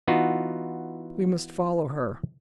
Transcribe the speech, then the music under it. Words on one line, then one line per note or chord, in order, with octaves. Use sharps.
"We must follow her."
E3 B3 D#4 F4 F#4